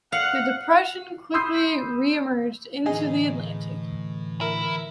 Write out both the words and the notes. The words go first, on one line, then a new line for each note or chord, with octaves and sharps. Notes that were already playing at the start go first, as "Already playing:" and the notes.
The depression quickly re-emerged into the Atlantic.
F5 F#5
B5 C6 D#6 E6 G6 C7
A2 D3 E3 D#4 G#4
E4 A#4